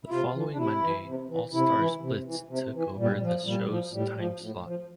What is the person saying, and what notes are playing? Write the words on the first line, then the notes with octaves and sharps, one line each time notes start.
The following Monday, "All-Star Blitz" took over the show's timeslot.
E4
C3 F4
E3
D4
C3 E4
E3
C3
E3
C3 E4
E3
C3
E3
C3
E3
A#2 G3
F3
A#2 G3
F3
A2 G3
F3
A2
F3